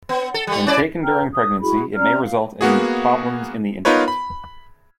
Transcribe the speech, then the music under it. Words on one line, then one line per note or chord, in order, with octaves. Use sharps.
When taken during pregnancy it may result in problems in the infant.
B3
A4
G3 A3
C#4 E4 D5
B4 G5 A#5 F6
D#6
E4 F#4 G#4 B5
C#4 D5 A#5 F6
F5
A#3 B3 F#4 G#4
B3 D#4 F4 A#4 B4 C#5
B5